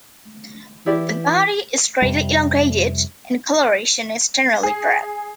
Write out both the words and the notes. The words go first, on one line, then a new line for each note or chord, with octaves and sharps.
The body is greatly elongated, and coloration is generally drab.
E3 E4 G4 D5
F2 C3 G3
G#4